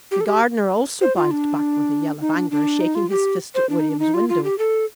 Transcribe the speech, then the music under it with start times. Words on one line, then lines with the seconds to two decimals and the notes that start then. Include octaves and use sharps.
The gardener also bounced back with a yell of anger, shaking his fist at William's window.
0.11 G4
0.21 A4
0.27 G4
1.01 C5
1.16 F4
1.31 D4
2.21 D#4
2.36 D4
2.51 D4
2.80 D#4
2.95 F4
3.10 G4
3.55 C5
3.69 D4
3.79 D#4
3.89 D4
4.00 D#4
4.14 F4
4.29 F4
4.44 G4
4.58 A4